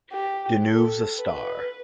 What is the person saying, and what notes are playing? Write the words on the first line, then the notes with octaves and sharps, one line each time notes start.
Deneuve's a star.
G4
A4
B4